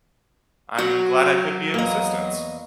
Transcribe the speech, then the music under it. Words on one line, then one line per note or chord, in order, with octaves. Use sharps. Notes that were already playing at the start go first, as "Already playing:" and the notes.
I'm glad I could be of assistance.
F#3 F#4
E2 A#3 D#5